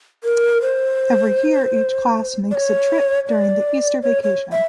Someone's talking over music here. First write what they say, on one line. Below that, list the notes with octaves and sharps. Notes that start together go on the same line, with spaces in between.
Every year each class makes a trip during the Easter vacation.
A#4
C5
D5
C#5
D5
C#5
C#5
E5